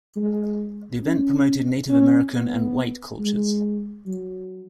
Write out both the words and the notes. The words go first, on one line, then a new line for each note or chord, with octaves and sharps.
The event promoted Native American and "White" cultures.
G#3
C#4
C#4
B3
G#3
F#3